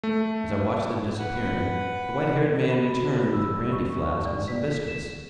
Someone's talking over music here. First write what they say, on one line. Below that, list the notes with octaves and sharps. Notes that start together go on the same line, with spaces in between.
As I watched them disappearing, the white-haired man returned with a brandy-flask and some biscuits.
A3
B4 F#5
B5
F#4
B5
E6
C#6
D5
B6
B6
E7